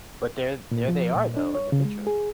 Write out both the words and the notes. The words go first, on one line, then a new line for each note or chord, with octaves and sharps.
But they're there they are, though, in the picture.
A#2
F3
A#2
D4
C#5
C#3
G#3
G#4